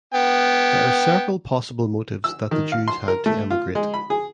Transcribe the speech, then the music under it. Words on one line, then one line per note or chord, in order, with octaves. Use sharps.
There are several possible motives that the Jews had to emigrate.
B3 G5
E6
D#3
F5
C6
A#4
A3
F4
G#3
B5
G#4